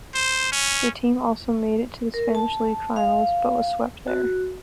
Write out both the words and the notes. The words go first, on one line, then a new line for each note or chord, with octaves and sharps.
The team also made it to the Spanish League finals, but was swept there.
C5
C#4
A#4
A5
F5
F#4